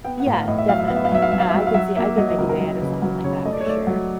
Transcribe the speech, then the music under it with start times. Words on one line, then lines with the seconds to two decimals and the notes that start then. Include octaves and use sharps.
Yeah, definitely, uh I could see I could make a day out of something like that for sure.
0.04 B3 G5
0.20 F#5
0.26 A2
0.34 F5
0.47 A2 D#5
0.58 E5
0.69 F#3 F5
0.79 E5
0.88 B3 F5
0.96 E5
1.05 F5
1.12 F#3 E5
1.22 F5
1.32 F#3 E5
1.40 F5
1.49 E5
1.54 F#3
1.67 F5
1.74 F#3 E5
1.96 A#3 E5
2.17 F#3 D#5
2.29 D#5
2.38 C#2 A#4
2.49 A#4
2.60 F#3 A#4
2.82 C#3 B4
3.02 F#3
3.24 C#3 C#5
3.45 A3 D#5
3.53 D5
3.60 C#5
3.66 A3 D5
3.87 F#3